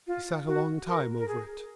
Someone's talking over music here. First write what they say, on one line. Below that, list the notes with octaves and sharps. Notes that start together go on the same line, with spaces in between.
He sat a long time over it.
F4
F#4
A#4
A#4
G#4